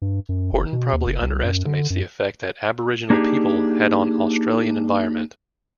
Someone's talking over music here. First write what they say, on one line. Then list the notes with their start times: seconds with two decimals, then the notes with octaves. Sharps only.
Horton probably underestimates the effect that Aboriginal people have had on Australian environment.
0.02 G2
0.29 F#2
0.52 F#1
0.73 B2
0.93 D#2
1.06 F#1
1.22 C2
1.44 F#2
1.66 D3
1.90 F#2
3.10 A#3 D4 D#4 F4 G4 G#4